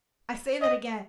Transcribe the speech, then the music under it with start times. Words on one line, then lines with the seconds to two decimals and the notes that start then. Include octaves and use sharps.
I say that again.
0.62 D#5